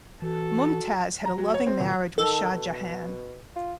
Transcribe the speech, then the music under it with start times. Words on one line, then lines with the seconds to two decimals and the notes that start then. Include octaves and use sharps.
Mumtaz had a loving marriage with Shah Jahan.
0.22 E3 F#4 A4
1.25 A#5
1.38 F#3
1.54 C#5
1.66 C4
1.80 D#1
2.18 D#3 A4
2.51 B2
3.56 F4